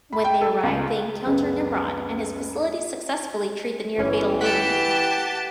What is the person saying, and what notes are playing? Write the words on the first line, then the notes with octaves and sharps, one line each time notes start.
When they arrive, they encounter Nimrod, and his facilities successfully treat the near-fatal wound.
B5
G5
A4
C#2
C#2 F#2 C#3 G#3 B3
G1 E3 C#4
G4 F#5 A5 F#6 B6